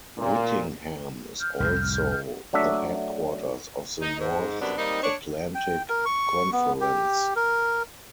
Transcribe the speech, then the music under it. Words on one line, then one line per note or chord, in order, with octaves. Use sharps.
Whitingham is also the headquarters of the North Atlantic Conference.
A#2
F6 G6
C2 F2 A2
F#3 A3 D4 E5
D#4
G#2
F#2 C3 G3 B3 D4
G3 A#3 C4 D#4
D4 C#5
G5
A#4
C#6
B3
G4
A#4